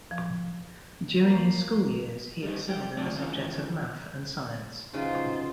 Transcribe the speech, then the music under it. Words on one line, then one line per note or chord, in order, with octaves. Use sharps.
During his school years, he excelled in the subjects of math and science.
F3
A#3
G3 D#4
G3 G4
F#3 A3 C4 D4 F4 D5
D#3 E3 C#4 F4
C#3 E3 F#3 D#4 F4 C5